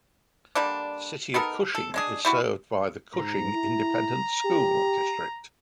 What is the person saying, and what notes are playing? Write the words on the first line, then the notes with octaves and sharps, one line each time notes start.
The city of Cushing is served by the Cushing Independent School District.
D3 G3 A#3 D4
B3 D#4 A4 A#4
A4
G#3 D4 G#4
G3 E4 F#4
G#2 A#5
E4
G4